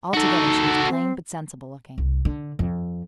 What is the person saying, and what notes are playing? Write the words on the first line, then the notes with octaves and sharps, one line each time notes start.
Altogether she was plain, but sensible-looking.
D#4 F#4 A4
C4
C2
D3
F2